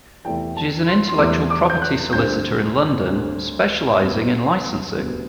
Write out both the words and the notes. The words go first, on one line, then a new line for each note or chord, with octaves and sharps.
She is an intellectual property solicitor in London, specialising in licensing.
E2 C3 E3 A3 G5
A5
C6
C6
E2 C3 E3 A3 D6
D6
G6
F#6
D2 D3 G3 C4 G6
D2 D3 G3 C4
D2 C3 F#3 B3
D2 C3 F#3 B3